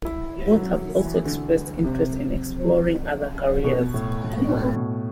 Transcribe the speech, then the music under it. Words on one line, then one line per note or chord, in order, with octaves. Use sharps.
Both have also expressed interest in exploring other careers.
E4
F#3
E3
D3
C3
B2
A2
A2
B2
A2
B2